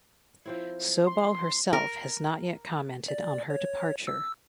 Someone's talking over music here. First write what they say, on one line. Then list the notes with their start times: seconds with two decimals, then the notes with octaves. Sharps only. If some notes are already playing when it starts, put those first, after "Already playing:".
Sobol herself has not yet commented on her departure.
0.45 F3 C4 E4
1.06 C6
1.73 A#4
3.08 D5
3.50 C#5
4.07 E6